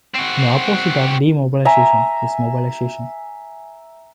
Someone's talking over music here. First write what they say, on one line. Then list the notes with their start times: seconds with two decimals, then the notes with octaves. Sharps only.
The opposite of demobilization is mobilization.
0.15 C4 F#4
1.65 E5 G#5 A#5